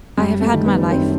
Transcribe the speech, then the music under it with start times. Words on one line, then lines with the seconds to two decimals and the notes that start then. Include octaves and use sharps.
I have had my life.
0.17 F#2 G3
0.42 A3
0.54 D#3 G3 D#4
0.66 B3
0.91 F#2 C4